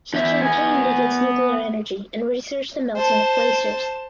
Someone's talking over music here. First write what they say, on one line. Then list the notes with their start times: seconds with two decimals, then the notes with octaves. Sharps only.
He campaigned against nuclear energy and researched the melting of glaciers.
0.14 E2 E5
0.42 B3 G#5
2.96 C5 A5